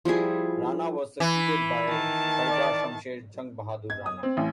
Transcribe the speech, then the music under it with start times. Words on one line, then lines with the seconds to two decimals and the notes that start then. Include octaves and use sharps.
Rana was succeeded by Khadga Shumsher Jung Bahadur Rana.
0.05 F3 G3 E4 G#4
1.20 E3 B5
1.88 D#3 A5
2.48 D5
3.90 G#6
4.06 D#6
4.23 C4
4.37 A1